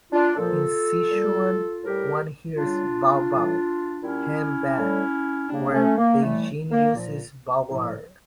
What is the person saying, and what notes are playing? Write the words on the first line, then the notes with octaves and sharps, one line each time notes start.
In Sichuan, one hears "baobao" "handbag" where Beijing uses "bao'r".
D4 F4
A#2 F3 F4 A4
A#2 G3
A2 G3 G4 A#4
C#3 G3 D4 F4
A2 E3 G3
A#2 G3 C#4 E4
A2 G3
C#3 G3 A#3 D4
A3 C#4
A#3
A2 E3 G3 A3
A#3
A#2 F3
A2 F3